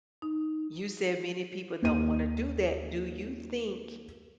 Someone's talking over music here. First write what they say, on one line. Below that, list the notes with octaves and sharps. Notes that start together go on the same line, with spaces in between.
you said many people don't wanna do that. Do you think
D#4
D#2 D#7